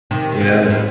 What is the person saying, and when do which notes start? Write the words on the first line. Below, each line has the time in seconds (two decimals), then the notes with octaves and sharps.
you know.
0.11 C3 D#3
0.32 C3
0.40 A#2 D3
0.64 A#2
0.70 A2